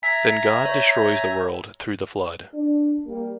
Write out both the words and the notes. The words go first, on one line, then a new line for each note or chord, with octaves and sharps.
Then God destroys the world through the Flood.
E5 G#5 A#5 B6
C#5
D4
G3 A#3